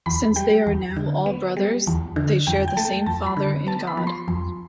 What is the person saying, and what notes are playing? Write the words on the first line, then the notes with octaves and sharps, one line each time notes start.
Since they are now all brothers they share the same father in God.
E2 B5
G3 G5
E2
D3
B3
G3
E2
D3
F2 G5
G5
A3 A5
F2 A5
B5
D3
B3 A5
B5
F3
C6
F2